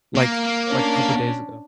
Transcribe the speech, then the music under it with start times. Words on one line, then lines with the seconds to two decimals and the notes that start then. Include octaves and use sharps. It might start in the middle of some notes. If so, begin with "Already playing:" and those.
like like, couple days ago.
0.15 A#3
0.68 C#4 D4